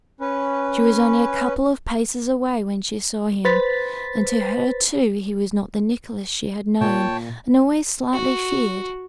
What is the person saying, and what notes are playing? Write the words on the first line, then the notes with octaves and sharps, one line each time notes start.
She was only a couple of paces away when she saw him, and to her too he was not the Nicholas she had known and always slightly feared.
C#4 B4
B4 C5 A6 B6
A#2 C#5 G5 A5
F#4